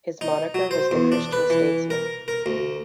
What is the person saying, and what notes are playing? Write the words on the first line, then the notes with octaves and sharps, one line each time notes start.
His moniker was the Christian Statesman.
D#4
F#3
C5
E2
D4
B4
E3
A#4
A#4
D2